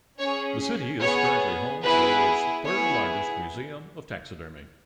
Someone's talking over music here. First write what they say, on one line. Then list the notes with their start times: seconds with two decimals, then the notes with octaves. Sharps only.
The city is currently home to the world's third largest museum of taxidermy.
0.19 C#4 G#4 C#5
1.01 B3 G#4 C#5
1.83 B3 E4 G#4 B4
2.65 B3 E4 G#4 C#5